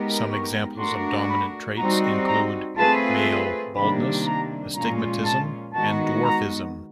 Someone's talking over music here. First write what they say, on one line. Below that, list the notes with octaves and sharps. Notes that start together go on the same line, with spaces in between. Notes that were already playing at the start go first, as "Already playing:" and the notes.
Some examples of dominant traits include: male baldness, astigmatism, and dwarfism.
Already playing: G#3 B3 D#4 G4 A#4
C#6
A3 D4 F#4 A#4 C6
B5
G3 C4 D#4 F#4 A#5
A#5
A3 C4 F4 G#4 B4 A5
C3 D#3 G3 A#3 D4 B5
A#5
A#2 F3 G#3 C#4 F4 A#5
A5
D#3 G#3 B3 D#4 F#4 A5
A#5